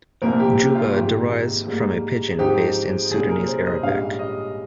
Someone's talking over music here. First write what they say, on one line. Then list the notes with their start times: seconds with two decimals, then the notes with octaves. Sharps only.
Juba derives from a pidgin based in Sudanese Arabic.
0.22 C2 A#2 F3 A#3 A#4
0.40 G4
0.58 G4
0.75 F4
0.94 G#1 G#2 D#3 A#3 G4
1.67 G#2 G3 A#3
2.38 G#2 F3 C4 D#4 G4
3.10 C2 A#2 G3 C#4 G#4
3.29 A#4
3.47 C5
3.66 D#5
3.83 A#1 G#2 G3 C#4 F5
4.19 D#5